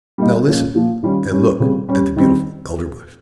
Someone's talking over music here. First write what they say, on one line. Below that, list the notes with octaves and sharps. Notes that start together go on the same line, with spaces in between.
Now listen, and look at the beautiful Elderbush.
G3 A#3 D#4
A#2 F3 A#3 C#4
A#2 F3 A#3
D#3 G3 C#4 F4
G3 C#4 G4
C#3 G3 C4 F4
G3 C#4 G4
D#3 G3 C4